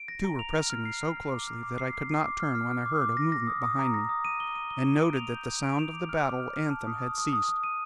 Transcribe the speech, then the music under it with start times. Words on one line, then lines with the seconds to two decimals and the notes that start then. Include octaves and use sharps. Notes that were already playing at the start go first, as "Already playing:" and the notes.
Two were pressing me so closely that I could not turn when I heard a movement behind me, and noted that the sound of the battle anthem had ceased.
Already playing: D7
0.08 A#6
0.24 A#5
0.39 F7
0.55 F6
0.70 F6
0.85 C7
1.02 F6
1.17 F6
1.32 D6
1.48 F6
1.63 D6
1.78 C7
1.93 C7
2.10 C7
2.25 D6
2.40 F6
2.55 F6
2.71 F6
2.86 D6
3.02 D6
3.17 A#6
3.32 A#6
3.47 D#6
3.63 D#6
3.79 A#5
3.94 A#6
4.09 D#6
4.25 D#7
4.40 G7
4.55 D#7
4.71 G7
4.87 D#7
5.02 D7
5.17 F7
5.32 G6
5.48 G6
5.63 D7
5.79 F7
5.94 D6
6.09 F6
6.25 D6
6.40 F6
6.56 F6
6.71 A5
6.87 D#6
7.02 D#6
7.18 D#6
7.33 D#6
7.48 D#6
7.64 D#7